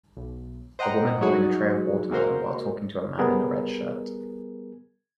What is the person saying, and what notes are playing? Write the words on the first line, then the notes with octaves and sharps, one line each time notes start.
A woman holding a tray of watermelon while talking to a man in a red shirt.
B1
C5 D#5 F#5 G5 A#5
F#3 G#3 D#4 F#4 G#4
G#3 A#3 F#4 A#4 C5
G3 B3 G#4 A#4